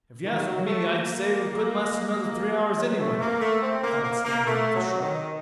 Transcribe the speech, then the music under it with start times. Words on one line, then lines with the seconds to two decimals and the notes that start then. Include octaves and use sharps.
"If you asked me, I'd say we couldn't last another three hours anyway," replied Stanley with a shrug.
0.25 D#3
0.46 F#3
0.66 A3
0.88 A#3
2.77 F#3
2.99 A3
3.20 A#3
3.41 A3
3.62 C4
3.84 A#3
4.04 A#3
4.25 A#3
4.46 A3
4.74 F#3
5.02 D#3